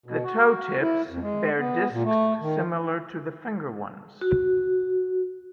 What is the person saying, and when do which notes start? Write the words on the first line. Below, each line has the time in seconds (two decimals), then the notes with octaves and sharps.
The toe tips bear discs similar to the finger ones.
0.06 B2
0.24 F#4
0.81 E4
1.10 F2
1.22 G#3
1.58 B3
1.91 A#2
2.04 A3
2.41 D#3
4.21 F#4